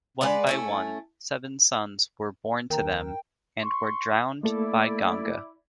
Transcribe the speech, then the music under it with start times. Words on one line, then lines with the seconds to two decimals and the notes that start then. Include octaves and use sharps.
One by one, seven sons were born to them and were drowned by Ganga.
0.21 G#3 B4 D5 F#5
0.47 A3 C#4 E4
2.70 D#2 A#4 G5 A#5
3.62 C6 C#6
4.43 A3 A#3 E4 A4 D5